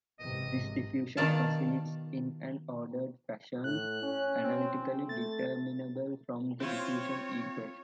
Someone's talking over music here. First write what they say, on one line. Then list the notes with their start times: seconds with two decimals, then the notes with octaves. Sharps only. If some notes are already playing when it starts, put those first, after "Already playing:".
This diffusion proceeds in an ordered fashion, analytically determinable from the diffusion equation.
0.19 G#1 C3 E3 D#5
1.17 B2 D#3 D4 D5 F5 A5
3.64 A2 F#6
4.03 C#4
4.44 C4
5.09 A3 A6
6.60 C4 E4 F4 C#5